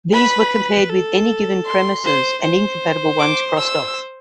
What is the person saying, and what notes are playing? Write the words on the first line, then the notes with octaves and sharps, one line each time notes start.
These were compared with any given premises, and incompatible ones crossed off.
B4 B5
A4
C6
C5
C5
D6
E6